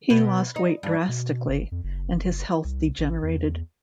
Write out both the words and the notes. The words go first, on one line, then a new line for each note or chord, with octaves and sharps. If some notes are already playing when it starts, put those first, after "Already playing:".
He lost weight drastically and his health degenerated.
B2
D#4
G2
B2
G1
F2
F#1
C2
A1
E2